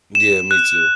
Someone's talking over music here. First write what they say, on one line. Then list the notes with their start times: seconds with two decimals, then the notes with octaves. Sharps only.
Yeah, me too.
0.15 E7
0.51 F#6